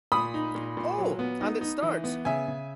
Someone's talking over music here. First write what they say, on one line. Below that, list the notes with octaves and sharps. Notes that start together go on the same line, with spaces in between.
Oh! And it starts!
A#2 B5 D#6
D#4
A#2
A#2
F#3
B3
D#4
D#4
E3
B3
C#3 E5 G#5
C#3